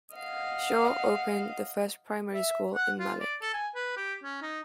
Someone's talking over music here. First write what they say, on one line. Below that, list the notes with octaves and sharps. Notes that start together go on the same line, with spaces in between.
Shaw opened the first primary school in Malek.
D#5 F5 F#5
E5
F#5
F4
D5
A4
G#5
B4
G4
C#4
D#4